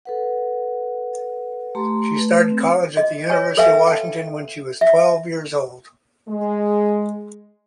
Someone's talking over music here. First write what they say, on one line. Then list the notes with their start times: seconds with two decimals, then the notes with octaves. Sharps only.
She started college at the University of Washington when she was twelve years old.
0.05 A4 B4 F#5
1.75 A3 G4 A#5 C6
2.17 A3 B4
2.51 C4
2.97 D#5
3.30 C#5 G#5
3.57 A4 B4 E5 F5 G#5
3.87 G5 A5
4.81 E5
6.28 G#3